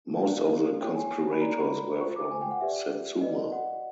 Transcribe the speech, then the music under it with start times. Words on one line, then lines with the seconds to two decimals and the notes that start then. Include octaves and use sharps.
Most of the conspirators were from Satsuma.
0.20 D4 F#4 A#4 D5 F5
0.81 E4 G#4 C#5 G5
0.96 G#5
1.32 B5
1.41 F#4 A#4 D5 A#5
1.52 A#5
1.61 B5
2.01 F4 A4 C5 C#6
2.16 D6
2.31 G#5
2.41 G5
2.51 F#5
2.61 G4 B4 D5 E5
3.21 F#4 B4 D5 D#5
3.52 F#5